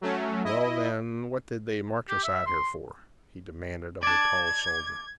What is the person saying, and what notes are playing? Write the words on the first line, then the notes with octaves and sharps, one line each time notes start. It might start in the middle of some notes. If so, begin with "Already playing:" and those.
"Well, then, what did they march us out here for?" he demanded of the tall soldier.
F#3 A3 C#4
E4 D#5
G4
E5
C6
D5 A5 G#6